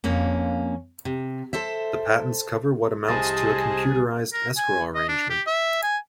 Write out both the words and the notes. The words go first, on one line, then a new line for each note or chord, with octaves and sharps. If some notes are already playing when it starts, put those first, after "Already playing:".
The patents cover what amounts to a computerized escrow arrangement.
F2 A#3 C#4
C3
A4 C5 E5
C2 C3 G#4 C5 D#5 G#5 A5 A6
A#4
G#5
D#5
D4
G4
E5
G#5